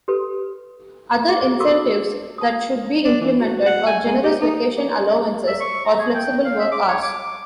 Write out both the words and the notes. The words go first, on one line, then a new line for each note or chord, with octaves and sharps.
Other incentives that should be implemented are generous vacation allowances or flexible work hours.
G4 A4 B4
G#4
F4 F#4 A4 A#4 D6 E6
A5 D#6
D4
E3
F#4
F#5
G#5
G#3
G4
D#4
A#3
E5
C#6
A#5
G#4
G5
F5
E5
D6
C#5
D6